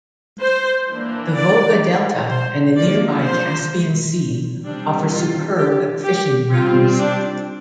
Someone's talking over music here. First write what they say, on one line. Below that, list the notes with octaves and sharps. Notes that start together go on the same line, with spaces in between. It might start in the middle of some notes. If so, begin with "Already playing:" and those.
The Volga Delta and the nearby Caspian Sea offer superb fishing grounds.
C5
E3 A#3 D4
D5
C5
F3 A#3 D4 D5
C5
G3 C4 D4
F4
G4
G4
G3 C4 F4
D4